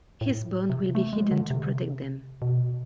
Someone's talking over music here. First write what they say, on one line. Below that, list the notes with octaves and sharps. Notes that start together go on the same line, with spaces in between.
His bones will be hidden to protect them.
A2
C3
A3
G#3
D3
C3
B2